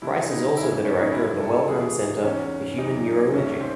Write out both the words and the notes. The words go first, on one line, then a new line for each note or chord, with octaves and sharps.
Price is also Director of the Wellcome Centre for Human Neuroimaging.
C2 C3 D#3 E4
D#4
D#2 C#3 E3 E4
C#4
D#4
C2 C3 D#3 E4
A4
C#2 C3 E3 G#4
E2 D#3 C#4
F#2 E3 D#4
D#4
C2 C3 D#3 C#4
C4